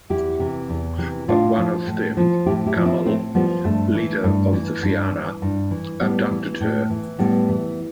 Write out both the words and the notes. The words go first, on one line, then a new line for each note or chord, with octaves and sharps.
But one of them, Cumhal, leader of the fianna, abducted her.
E2 E4 G4
C3 E3
E2
C3 E3
A2 D4 F4
F3
A2
F3
A2 E4 G4
E4 G4
F3
C4 E4
A2 A3 C4
F3 G3 B3
G2 A3
E3
G2
E3
G2
E3
G2
E3
A2 G3 B3
E3
A2
E3
A2 G3 B3
E3